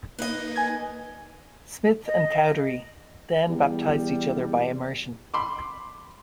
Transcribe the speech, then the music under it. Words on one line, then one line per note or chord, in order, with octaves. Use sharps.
Smith and Cowdery then baptized each other by immersion.
A#3 D#4 B4 D#5
G#5 G#6
D#5
E2 G3
B5 C6 D6